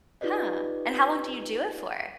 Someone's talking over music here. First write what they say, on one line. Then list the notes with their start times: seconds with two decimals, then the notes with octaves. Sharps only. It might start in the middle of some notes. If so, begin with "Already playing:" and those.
Huh, and how long do you do it for?
0.21 D#4 F4 G4 B4 D5 D#5